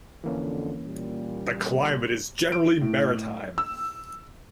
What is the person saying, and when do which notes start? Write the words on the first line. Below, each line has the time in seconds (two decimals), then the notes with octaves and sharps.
The climate is generally maritime.
0.24 F2 D3 E3 A#3 C#4
0.83 A#2 G3
2.52 D7
2.81 A2
3.58 E6